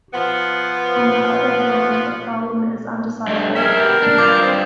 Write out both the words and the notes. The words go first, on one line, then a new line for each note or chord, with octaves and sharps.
On the other hand the problem is undecidable.
F3 B3
G2 A3
G#4 A#4 E5
B3 G4
D4
G2 F4 D6 G6
C4 D#6